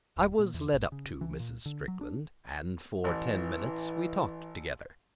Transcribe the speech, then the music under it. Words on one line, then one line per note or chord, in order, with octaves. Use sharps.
I was led up to Mrs. Strickland, and for ten minutes we talked together.
D#1
A#2
E2
G#1
C#3
E3
A#2
D3
F#3
D4
A1 E3